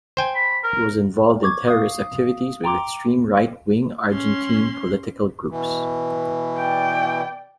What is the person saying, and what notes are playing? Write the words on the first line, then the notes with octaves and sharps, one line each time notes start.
He was involved in terrorist activities with extreme right-wing Argentine political groups.
C5 G5 G#5
B5
A#4
C#6 D6 G#6
F5 D#6
G5 A#5 C6 D6
C#4 C6
B2 E3
D5 G5